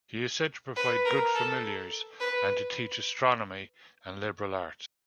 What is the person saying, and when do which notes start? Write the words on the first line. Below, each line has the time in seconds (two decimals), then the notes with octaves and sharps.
He is said to provide good familiars, and to teach astronomy and liberal arts.
0.77 B4
1.05 A#4
1.35 A4
2.20 B4